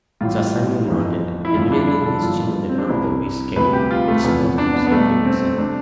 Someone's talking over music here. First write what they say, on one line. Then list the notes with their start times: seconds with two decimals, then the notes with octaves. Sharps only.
Sir Simon nodded, and, leaning his chin on the knob of his cane, disposed himself to listen.
0.21 A1 A2 G3 F4
0.87 G1 F2 E3
1.45 E4
1.55 G1 F2 D3 G3 F4
1.68 E4
1.72 D4
1.88 E4
2.06 A4
2.22 G1 F2 E3 G3 F4
2.69 C4
2.78 D4
2.89 C2 C3 G3 E4
3.56 D2 C3 G3 B4
3.73 G4
3.91 F4
4.08 A3
4.23 E2 C3 F3 B3
4.58 D4
4.75 B3
4.87 B3
4.92 B1 B2 G3 A3
5.25 C4
5.58 C3 G3 D4